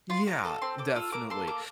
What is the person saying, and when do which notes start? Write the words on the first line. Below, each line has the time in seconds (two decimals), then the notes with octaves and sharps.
Yeah, definitely,
0.10 F4 C6
0.27 F4 A#5
0.45 A4 A5
0.62 C4 C6
0.78 A4 D6
0.96 F4 E6
1.12 A#3 D6
1.30 A4 C6
1.47 A#3 D6